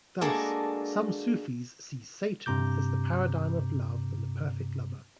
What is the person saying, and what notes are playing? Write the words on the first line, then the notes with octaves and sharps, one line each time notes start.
Thus, some Sufis see Satan as the paradigm of love and the perfect lover.
G#3 A#3 D4 F#4 G#4 A4
G2 C3 A#5 D6 G6